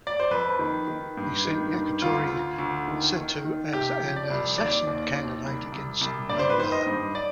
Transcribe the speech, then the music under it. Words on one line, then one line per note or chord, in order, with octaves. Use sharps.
He sent Yukari Sato as an "assassin" candidate against Noda.
D5
C5
F2 B4
D#3
D#3
G2
D#3
G2
D2 F4
D2
D2
D#3
D#3
D#3
C3 G4
F3
D5
C2
D#2 D5
D#2
D#2
C2
C2
C2
G2 D5
C5
B4
D#3 C5
D#5
G2
D5